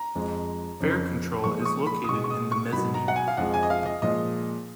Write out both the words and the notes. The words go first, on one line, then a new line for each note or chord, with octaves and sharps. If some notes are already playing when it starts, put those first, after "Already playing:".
Fare control is located in the mezzanine.
Already playing: A#5
F2 F3 G#3
F2 C#3 F3
A#2 F3 G#3 C#6
D#6
C#6
B5
D#6
B2 G#3 C#6
C#6
D#6
C#6
B2 F#3 B5
A#5
F#5
G#5
F5
F2 F3 G#3 F#5
G#5
D#5
F5
D#5
A#2 F3 G#3 D#5